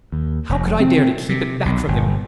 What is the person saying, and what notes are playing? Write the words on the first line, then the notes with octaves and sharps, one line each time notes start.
How could I dare to keep it back from him?
D#2
F1
C4
C3
B1
G1